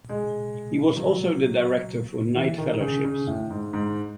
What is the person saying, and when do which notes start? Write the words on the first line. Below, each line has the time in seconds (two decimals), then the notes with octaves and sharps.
He was also the director for Knight Fellowships.
0.09 G#3
0.97 F#3
2.36 E3
2.58 D#3
2.81 C#3
3.05 C#3
3.27 A2
3.50 G#2
3.73 G#2